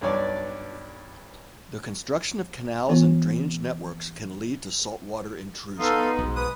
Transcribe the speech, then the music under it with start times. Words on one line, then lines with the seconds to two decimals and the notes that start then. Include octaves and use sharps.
The construction of canals and drainage networks can lead to saltwater intrusion.
0.01 B1 G2 D4 C#5 D5 A5
2.89 E3 B3 F4
5.79 B3 D#4 A4 F5 C6
6.19 B1 G#2 G#3
6.36 B4 D#6